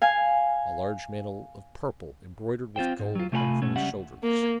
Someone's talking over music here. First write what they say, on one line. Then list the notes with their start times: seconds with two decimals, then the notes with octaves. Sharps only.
A large mantle of purple embroidered with gold hung from his shoulders.
0.02 F5 G#5
2.76 C4 F4 C5 G5
2.99 G#2
3.15 F#3 F4
3.32 C3 A3 F4 A#4 G#5 B5
3.62 B2 A3 C#4
3.76 C#2 G3 C#4 E5 F#5
4.23 A#3